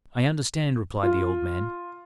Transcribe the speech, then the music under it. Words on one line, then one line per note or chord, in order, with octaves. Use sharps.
"I understand," replied the old man.
F4